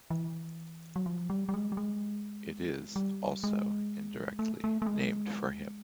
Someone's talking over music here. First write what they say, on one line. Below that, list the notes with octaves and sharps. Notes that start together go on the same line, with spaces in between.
It is also, indirectly, named for him.
E3
F#3
F3
G3
G3
G#3
G3
G#3
G3
G#3
A3
A3
A3
G#3